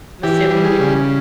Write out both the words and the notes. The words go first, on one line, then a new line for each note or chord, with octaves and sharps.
I'm assuming you don't
E3 G4
G3
G#4
C#3